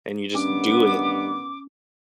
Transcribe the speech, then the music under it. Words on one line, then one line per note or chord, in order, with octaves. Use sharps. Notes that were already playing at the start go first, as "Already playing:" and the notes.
and you just do it.
A1 G2 D#3 B3 C#4 D6